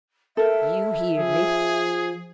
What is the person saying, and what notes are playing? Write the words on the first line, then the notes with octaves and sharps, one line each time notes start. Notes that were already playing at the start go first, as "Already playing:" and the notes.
"You heerd me!"
A4 A#4 E5
F3 G#4